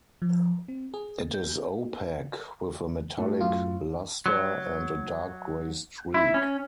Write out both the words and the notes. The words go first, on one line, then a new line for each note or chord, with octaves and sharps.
It is opaque with a metallic luster and a dark gray streak.
F3
C4
G#4
G6
A2 A3 F#4
F#2 F4
F#3
E4
C#4